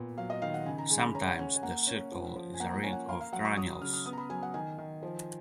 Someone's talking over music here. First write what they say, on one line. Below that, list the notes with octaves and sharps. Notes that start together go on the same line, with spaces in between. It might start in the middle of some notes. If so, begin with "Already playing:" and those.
Sometimes the circle is a ring of granules.
Already playing: A#2 B3
F#3 F5
D#5
D#3 F5
F#5
C#3 G#5
A#5
G#3 G#5
B5
C#4 A#5
F#5
C#4 G#5
G#5
A#3 F#5
C#4
F3
F3
G#5
A#3 F#5
C#4 G#5
F#5
A#3 F5
F5
F#3 F#5
C#6
F#3 D#6
C#3 F6
F6
B3 D#6
A#5
B5
F#3 G#5
F#5
D#3 G#5
D#3
F3